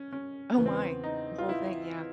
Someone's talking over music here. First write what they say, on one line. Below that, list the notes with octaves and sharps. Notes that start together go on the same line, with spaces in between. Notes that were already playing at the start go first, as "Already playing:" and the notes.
Oh my. The whole thing, yeah.
Already playing: C#4
C#4
E2 C#3 E3 B3
C4
B3
D#4
F4
E4